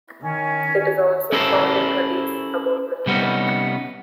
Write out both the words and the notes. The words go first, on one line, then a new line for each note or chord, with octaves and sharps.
It is also found in hadith about Muhammad.
D#3 C#4
C#4 E4 G4 A4 A#4 C5
C3 G3 B3 C#4 D#4